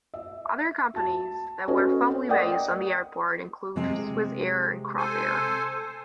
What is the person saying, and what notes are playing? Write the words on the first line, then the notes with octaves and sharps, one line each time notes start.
Other companies that were formerly based on the airport include Swissair and Crossair.
E5
F#4 A5
C#4 F#4 A4 B4 C#5 D#5
A#4 D5 D#5 F#5 G5 D#6
C3 G#3 C4
A4 C5 G#5